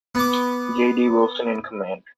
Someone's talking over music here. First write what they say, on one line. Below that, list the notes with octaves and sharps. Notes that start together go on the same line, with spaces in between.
J. D. Wilson in command.
B3 D6